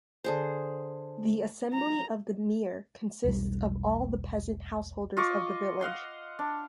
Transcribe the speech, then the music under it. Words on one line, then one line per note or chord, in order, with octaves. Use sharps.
The assembly of the mir consists of all the peasant householders of the village.
D3 G#4 C5
A#5
E1 B1 G3
F4 D#5 C#6 D6
D#5 F5 F#5 C6
D4